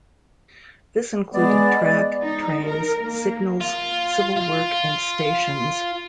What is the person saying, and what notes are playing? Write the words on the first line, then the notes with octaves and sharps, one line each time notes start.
This included track, trains, signals, civil work and stations.
G#3 B3 D5
D#4
A#4
A#3
F4
F4